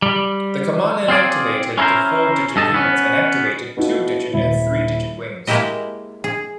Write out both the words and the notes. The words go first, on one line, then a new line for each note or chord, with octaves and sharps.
The command inactivated the four-digit units and activated two-digit and three-digit wings.
G3
C4 F4 G#4 D5
C#4 E4 G#4 A#4 C5
G2 A4 D#5 A5
B3 C#4
B2 B3 E4 F4
D#1 E4
G#3 A#3 E4 G4 D#5
G#4